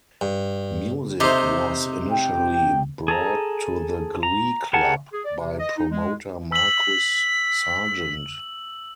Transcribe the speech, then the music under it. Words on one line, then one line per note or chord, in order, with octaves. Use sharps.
Music was initially brought to the Glee Club by promoter Markus Sargeant.
G2
C3 D#4 C5
G5
G#4 A4 A#5
A#5
G4 G#4 A#4 F#5 A5
G#4
D5
C3
D#5
D#4
G#3
E6 B6 F#7